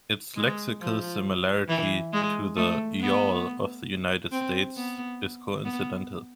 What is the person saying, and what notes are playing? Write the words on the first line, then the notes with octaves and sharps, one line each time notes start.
Its lexical similarity to the "y'all" of the United States is coincidental.
G#3
F3
E3
G#3
A3
B3
C4
B3
B3